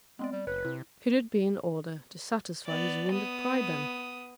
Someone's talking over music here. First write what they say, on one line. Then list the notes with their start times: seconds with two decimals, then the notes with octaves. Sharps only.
Could it be in order to satisfy his wounded pride, then?
0.19 G#3 B3 C4 D5
0.32 G3
0.47 F#1 B4 C#5
0.65 C3 E4
2.66 B3 D5
3.13 B3 D#6